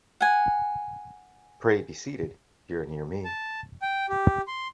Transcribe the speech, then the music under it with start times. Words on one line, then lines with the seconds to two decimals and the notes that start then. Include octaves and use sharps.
Pray be seated — here near me.
0.21 F#5 G#5
3.25 A5
3.82 G5
4.09 G4
4.48 C6